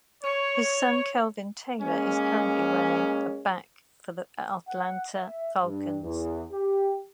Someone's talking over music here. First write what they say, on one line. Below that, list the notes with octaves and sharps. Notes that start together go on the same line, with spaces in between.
His son, Kelvin Taylor, is currently a running back for the Atlanta Falcons.
C#5
G#3 A#3 C#4
F#5
E5
G2
E2
G4